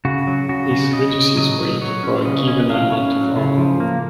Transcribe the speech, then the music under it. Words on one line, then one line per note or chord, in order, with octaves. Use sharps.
This reduces weight for a given amount of armour.
C#3 F#4
F#3
C#3 F#4
C#3
C#3 D#5
C#3
F#3 D#5
F#3
F#3 C#5
C#4
C#3 D#5
C#4
F#3 F5
C#4
F#3
C#3
F3
A#3